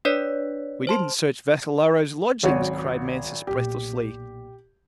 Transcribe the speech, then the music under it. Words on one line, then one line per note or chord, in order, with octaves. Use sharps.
"We didn't search Vassalaro's lodgings," cried Mansus breathlessly.
D4 B4 C#5 D5 B6
C5 A5 C6
G#1 C#2 F#3 F#4 C#5
B1 A#2 G4